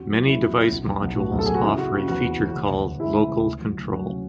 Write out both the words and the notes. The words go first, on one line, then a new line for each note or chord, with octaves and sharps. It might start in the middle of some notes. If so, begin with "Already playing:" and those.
Many device modules offer a feature called "local control".
Already playing: E2 C#4 F#4
F#3
C#3 E4
E2
C#3
B1
B1
B1
A2 F#4
B1
A4
B1 G#4
F#4
C#3 E4
C#3 F#4
C#3 F#4
E2 F#4
E3
E1
D2
D2
D2
G#3 E4
C#3
D2
D2
F#3
D2
F#3 F#4
C#4